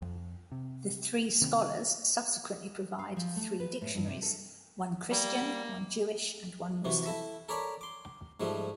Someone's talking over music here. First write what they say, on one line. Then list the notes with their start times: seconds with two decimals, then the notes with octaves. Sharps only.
The three scholars subsequently provide three dictionaries: one Christian, one Jewish and one Muslim.
0.02 F2
0.52 C3
1.42 C3 D#3 B3 C4
2.99 F5
3.17 F3
3.36 A3
3.60 B4
3.81 A2
3.95 G2
4.08 C3
4.22 A4
5.10 G3 A#3
6.85 C3 E3 F#4
7.06 E4 A4 E5
7.49 A4 A#4 C#5 D5 A#5 B5
7.81 C6 D6
8.40 G#2 F3 G3 A3